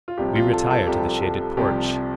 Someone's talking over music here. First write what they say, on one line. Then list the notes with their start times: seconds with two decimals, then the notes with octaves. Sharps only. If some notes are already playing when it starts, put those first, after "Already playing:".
We retire to the shaded porch.
0.08 F4
0.18 C2 C3 F3 G4
0.36 F4
0.53 A4
0.71 A4
0.87 C2 C3 F3 G4
1.22 A4
1.57 C2 C3 F3 G4